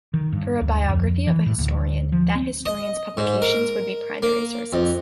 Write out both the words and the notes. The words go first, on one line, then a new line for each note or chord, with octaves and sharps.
For a biography of a historian, that historian's publications would be primary sources.
D#3
G2
D2
F2
E3
A2
D2
F3
C4
D#5
G#2
A#4
A#3
F2